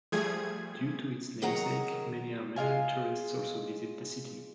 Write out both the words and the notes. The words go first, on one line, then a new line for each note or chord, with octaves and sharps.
Due to its namesake, many Armenian tourists also visit the city.
F3 G3 A3 G#4 G#6
D#3 F#3 G#4 A#4 F#5 A#5
G#3 F4 F5 G#5